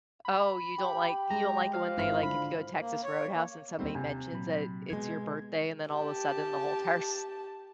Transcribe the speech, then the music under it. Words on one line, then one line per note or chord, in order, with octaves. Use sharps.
Oh, you don't, like you don't, like, it when they, like, if you go to Texas Roadhouse and somebody mentions that it's your birthday and then all of a sudden the whole entire s
B5
G4
G#3 A#5
F3 F5
G#1 E4 F6
D3 B5
A#3
C#5
A#3
D#2 G3 A#3 C4 D#4
C3 G#5
A#2 F#3 B5
B2 G#3 G#6
G4 A5